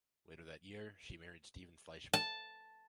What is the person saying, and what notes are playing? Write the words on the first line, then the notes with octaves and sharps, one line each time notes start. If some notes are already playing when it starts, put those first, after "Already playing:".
Later that year, she married Steven Fleischmann.
A5